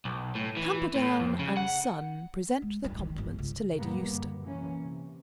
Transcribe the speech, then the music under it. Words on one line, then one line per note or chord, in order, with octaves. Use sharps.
Camperdown and Son present their compliments to Lady Eustace.
B1
A2
E3
A2
F2
C#3
F#5
G#3
G2
D#3
G1
C#2
F#1 C#2 A#2 G3 A#3 B3
F#2 D3
C3 E3 A#3 C#4
C3